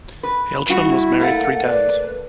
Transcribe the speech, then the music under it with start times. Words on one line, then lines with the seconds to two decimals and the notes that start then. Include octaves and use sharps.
Hailsham was married three times.
0.23 B4
0.68 G2 F4 F#4
0.82 E4
1.20 A3 A#3 F#5
1.65 B4 D5